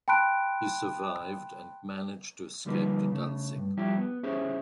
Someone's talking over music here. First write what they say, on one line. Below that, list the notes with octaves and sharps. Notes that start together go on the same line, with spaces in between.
He survived and managed to escape to Danzig.
G5 A5 B5 C6 F#6 D7
D3 F3 G3 A#3 D#4 B4
C#3 A3
G2
F3 G3 E4 G4
B3
C#4 E4 G4 G#4 C5